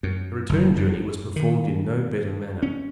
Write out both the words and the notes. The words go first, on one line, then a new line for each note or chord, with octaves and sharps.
The return journey was performed in no better manner.
F#2
F#1
F#2
D#3
C#4